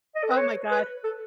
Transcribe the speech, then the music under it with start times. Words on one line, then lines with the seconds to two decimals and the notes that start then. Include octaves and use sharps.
Oh my god.
0.16 D#5
0.23 A4
0.31 B4
0.37 C#5
0.71 B4
1.04 A4